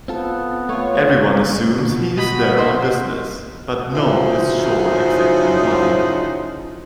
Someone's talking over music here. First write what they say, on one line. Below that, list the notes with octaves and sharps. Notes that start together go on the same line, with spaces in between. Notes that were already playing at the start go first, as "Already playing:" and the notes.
Everyone assumes he is there on business, but no is sure exactly why.
B3 C4 F4 A4
A3 F4 C#5
B2
F#4 D#5 B5
A#3 C5 D#5 C6
C#3 F3 D#4 E4 F#4 C5